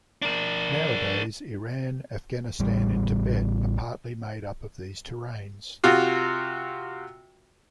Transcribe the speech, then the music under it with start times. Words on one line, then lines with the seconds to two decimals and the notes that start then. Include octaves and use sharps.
Nowadays, Iran, Afghanistan and Tibet are partly made up of these terranes.
0.22 D4 A#4
2.60 A1 G3
5.84 C3 F4 F#4